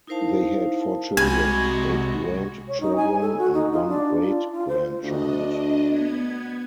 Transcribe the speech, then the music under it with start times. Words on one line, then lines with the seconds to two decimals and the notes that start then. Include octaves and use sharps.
They had four children, eight grandchildren, and one great grandchild.
0.07 D#4 E4 A#4 C5 F5 A5
1.17 C2 C3 G#3 F#4 G#5 B5
2.68 C#5
2.80 D#4
2.96 G#5
3.21 A4
3.38 F#4
3.54 D#4
3.72 F4
3.88 D4
4.23 F4
4.51 F4
4.69 C5
5.03 D2 D4 D#5
5.88 B3 G#6